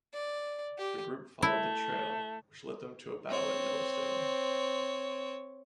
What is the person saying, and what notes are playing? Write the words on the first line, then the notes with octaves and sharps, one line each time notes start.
The group followed the trail, which led them to a battle at Yellowstone.
D5
G4
A3 E4
C4 C#5